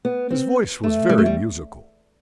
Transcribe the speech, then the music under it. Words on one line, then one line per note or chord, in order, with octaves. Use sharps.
His voice was very musical.
B3
C4
A3
G3
A3
G3